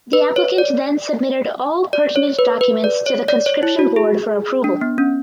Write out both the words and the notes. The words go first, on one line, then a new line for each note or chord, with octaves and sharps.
The applicant then submitted all pertinent documents to the conscription board for approval.
B4
C#5
D5
D5
C#5
B4
B4
D5
C#5
D5
C#5
E4
F#4
G#4
D4
B3
C#4